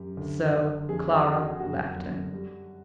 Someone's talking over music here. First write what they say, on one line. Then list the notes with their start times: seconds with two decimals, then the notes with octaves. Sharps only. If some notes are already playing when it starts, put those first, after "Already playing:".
So Clara left him.
Already playing: F#2 G4
0.17 D2
0.52 D2
0.89 F2 G#4
1.13 F#4
1.24 F2
1.36 F#4
1.60 F#2 F#4
1.96 F#2
2.33 G3